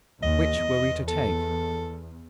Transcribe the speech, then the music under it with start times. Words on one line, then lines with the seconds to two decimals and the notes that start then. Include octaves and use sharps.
Which were we to take?
0.23 D#2 D#5
0.63 E2
1.08 A4